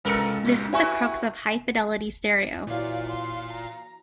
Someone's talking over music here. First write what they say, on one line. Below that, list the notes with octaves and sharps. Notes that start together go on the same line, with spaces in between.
This is the crux of high-fidelity stereo.
C#2 G2 A4 A#4 C#7
A2 C3
G2 E4 F#4 G#5 C#6
A#2 E3 F#3 F4 D5 F5
C6
A#5